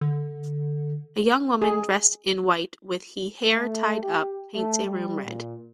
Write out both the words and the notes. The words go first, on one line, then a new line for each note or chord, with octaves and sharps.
A young woman dressed in white with he hair tied up paints a room red.
D3
G#4
A3
G4
A3
G3
A#2